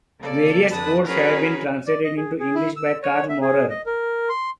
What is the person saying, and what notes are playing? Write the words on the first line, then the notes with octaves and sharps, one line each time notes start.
Various odes have been translated into English by Karl Maurer.
C#3 A#3 A4 D5
F2 D3 B4 A5 D#6
C#4 F#4 G#4 A#4 B4
D5
D#5
G#4
G#4
E4
E6
C#5
E5
G#4
D#5
A#4
C6